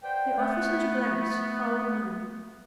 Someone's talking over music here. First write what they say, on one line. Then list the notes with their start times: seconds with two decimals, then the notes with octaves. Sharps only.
The officer's glance followed mine.
0.04 B4 C5 D5 F#5 G5
0.38 A3 B3